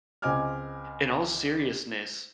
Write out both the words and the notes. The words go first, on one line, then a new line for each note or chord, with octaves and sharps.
in all seriousness,
C#2 C4 D#5 G#5 D6 F6